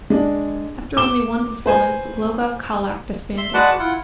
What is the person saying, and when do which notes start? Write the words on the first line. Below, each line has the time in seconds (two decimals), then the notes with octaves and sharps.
After only one performance Glogov Kolac, disbanded.
0.10 G#3 D4
0.97 D6 E7 G7
1.66 B4 C5 G#5
3.38 E5 C6
3.54 G#3 F#4 B4 D5 F#5 A5
3.79 E4 F4 F#5